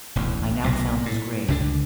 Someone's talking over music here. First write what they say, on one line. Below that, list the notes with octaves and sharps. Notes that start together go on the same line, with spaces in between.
I now found his grave.
E1 A1 D2
B1 A#2
A2
C#2 D3 C#4 D4